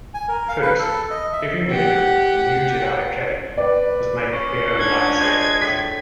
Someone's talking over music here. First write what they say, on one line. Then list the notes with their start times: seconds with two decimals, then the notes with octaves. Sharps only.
First, every member of the New Jedi Academy must make their own lightsabers.
0.14 G#5
0.29 A#4
0.48 F5
0.62 B4
0.79 A4
1.11 D#5
1.33 E5
1.71 G4 F#5
3.58 B4 D5
4.33 C#4
4.79 D4 F4 G#6
5.21 G#3 G6
5.61 A2 B6